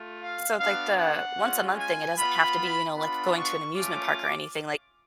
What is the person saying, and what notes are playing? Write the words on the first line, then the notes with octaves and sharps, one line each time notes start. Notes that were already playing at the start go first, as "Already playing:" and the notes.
so, like, the once a month thing, it doesn't have to be, you know, like, going to an amusement park or anything, like,
Already playing: A3 F4
F5
B3 D4 F#4 F5
F#5
G#3 C#4 F4
G#5
B3 F4 B5
B3 D4 F4 B5
C#6
A3 C#4 F4 D6